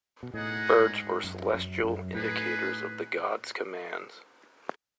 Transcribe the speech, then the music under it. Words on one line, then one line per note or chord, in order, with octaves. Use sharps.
Birds were celestial indicators of the gods' commands.
B2
A2 D#4 G#4 D#5 F#5
G#2
F#2
F#2
F#2
A2 D#4 G#4 B4